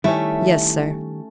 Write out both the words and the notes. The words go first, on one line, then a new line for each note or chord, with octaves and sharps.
"Yes, sir."
D#3 G3 A3 C#4 E4